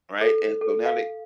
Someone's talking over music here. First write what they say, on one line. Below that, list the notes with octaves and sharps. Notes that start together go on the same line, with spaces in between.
right, and so now they
A4
A4
F5